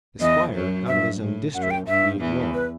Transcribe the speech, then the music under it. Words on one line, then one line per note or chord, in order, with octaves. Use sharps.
The Squire, out of his own district, we ignore.
E2 E3 D#5
F#2 F#3
G2 E5
A2
F#2 F#5
E5
G5
G2 E5
E2 E3
B4